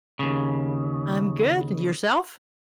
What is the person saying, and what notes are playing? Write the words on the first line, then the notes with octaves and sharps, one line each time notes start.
I'm good, and yourself?
D#2 C#3